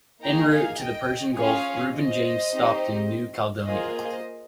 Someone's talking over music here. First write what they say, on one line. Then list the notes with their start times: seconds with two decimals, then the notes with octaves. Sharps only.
En route to the Persian Gulf, "Reuben James" stopped in New Caledonia.
0.23 A#3 D#4 G#4 G5 A#5
0.52 F5 G#5
0.80 D#5 G5
1.37 C#4 F4 G#4 C#5 F5
1.95 C5 D#5
2.52 C4 D#4 G4
3.66 A#3 F4 G#4 C5 D#5
3.95 C5 D#5